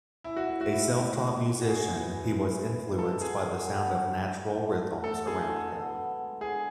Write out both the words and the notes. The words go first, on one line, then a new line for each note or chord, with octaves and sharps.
A self-taught musician, he was influenced by the sound of natural rhythms around him.
C#4 E4
F#4
A2 E4
F#4
G#3 E4
A2 E4
C#4
A2
C#4 F#4
G#4
F#4
E3
G#3
E3
C#4
E3
C#4 A4
D3 G#4
F#3 G#4
F#4 A4
C#4
D3
D4
D3
A3
D3 A4
D4 G#4
D3 A4
B3 A4
D3
G#3
D3 G#4